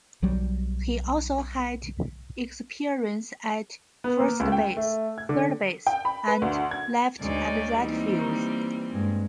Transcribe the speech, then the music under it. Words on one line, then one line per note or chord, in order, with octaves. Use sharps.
He also had experience at first base, third base, and left and right fields.
B1 F#3 G3
B3
A#3
C#2
G5
A3
G#6
D3
G5
B5
B4
D2
G#6
D2 G#3 D#4 C#5 D5
E3 G3 A#3 C4 D#4
G2 G#3